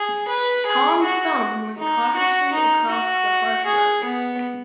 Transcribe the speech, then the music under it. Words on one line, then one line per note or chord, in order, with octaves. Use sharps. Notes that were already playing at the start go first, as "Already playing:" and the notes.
Tom Thumb went cautiously across the hearth-rug.
Already playing: G#4
B4
G#4
F#4
D#4
F#4
D#4
F#4
G#4
B3